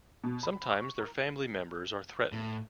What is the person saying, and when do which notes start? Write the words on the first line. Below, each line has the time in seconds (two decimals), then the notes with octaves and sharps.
Sometimes their family members are threatened.
0.24 B2
0.43 B5
0.71 C#6
1.00 A#4
2.32 A2